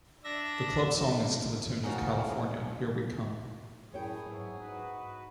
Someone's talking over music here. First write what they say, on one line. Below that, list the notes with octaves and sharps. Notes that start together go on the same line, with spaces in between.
The club song is to the tune of "California Here We Come".
D4 E5 A#6
F2 D#3 F#3 D#4 F4 F#4 A#4 G#5
F#2 A2 G#4 C#5 G5
F2 G#2 F#3 B3 E4
D#4 F#4 B4